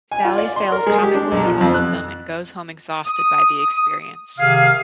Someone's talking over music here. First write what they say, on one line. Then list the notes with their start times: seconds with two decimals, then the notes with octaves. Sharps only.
Sally fails comically at all of them and goes home exhausted by the experience.
0.12 G#5
0.25 F4
0.38 D5
0.56 C6
0.72 A#4
0.87 G#3
1.03 G4
1.15 D4
1.31 B1
1.46 F3
1.61 F2
1.74 F#6
3.06 D#6
4.39 C3 D#3 G#4 F5